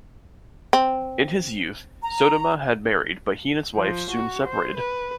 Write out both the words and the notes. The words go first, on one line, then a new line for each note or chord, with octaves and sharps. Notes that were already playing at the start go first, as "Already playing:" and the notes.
In his youth, Sodoma had married, but he and his wife soon separated.
C4
A#5
F3
F#4
C5
B4